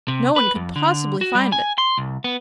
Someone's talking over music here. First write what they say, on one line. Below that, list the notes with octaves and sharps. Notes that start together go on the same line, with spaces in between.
No one could possibly find it.
C3
B4
F2
D3
F#4
G3
G#5
C6
C2
B3